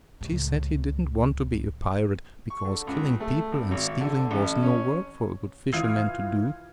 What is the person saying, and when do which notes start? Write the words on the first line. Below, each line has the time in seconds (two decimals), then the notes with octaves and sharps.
But he said he didn't want to be a pirate, because killing people and stealing was no work for a good fisherman to do.
0.21 C#2 A2
2.50 C#6
2.65 D3
2.87 C#2
3.20 A3
3.52 C2
3.71 G#1
4.01 D3
4.31 A1
4.63 C#4
5.73 E3 F4 D#6 F6 G#6 C7